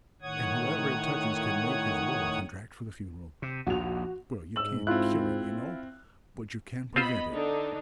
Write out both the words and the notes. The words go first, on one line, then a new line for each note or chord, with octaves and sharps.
And whoever it touches can make his will and contract for the funeral. Well you can't cure it, you know, but you can prevent it.
A2 D#3 C#5 F#5 D#6 G#6
C3
A#1 D#2 F#4 F7
G#2 E6 F#7
C4 E4 F4 F#6
B3 C4 F4 C5 D#5 B5
D3 D4 D#4